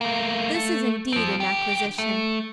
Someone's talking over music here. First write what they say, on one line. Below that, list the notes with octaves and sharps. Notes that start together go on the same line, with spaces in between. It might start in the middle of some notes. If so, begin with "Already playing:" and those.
This is indeed an acquisition.
A3 A#3
A3
F3 C4
D3 G4
A3